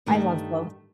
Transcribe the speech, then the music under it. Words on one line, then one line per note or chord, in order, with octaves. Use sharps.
I love both.
G2 D#3 G3 A3